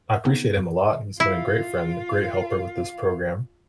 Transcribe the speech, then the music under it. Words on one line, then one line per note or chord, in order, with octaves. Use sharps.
I appreciate him a lot, he's been a great friend, a great helper with this program.
C#3 B3 C4 D#4
F2
E4 F4 F5